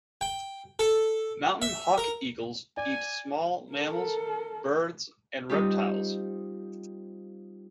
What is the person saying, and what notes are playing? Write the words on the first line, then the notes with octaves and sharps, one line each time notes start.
Mountain hawk-eagles eat small mammals, birds and reptiles.
G5
A4
E5
A#4
D5 G#5
A4 A#4
G3 C4 D#4 F4 G4